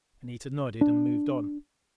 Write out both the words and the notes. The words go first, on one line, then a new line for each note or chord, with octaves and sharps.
Anita nodded and moved on.
D4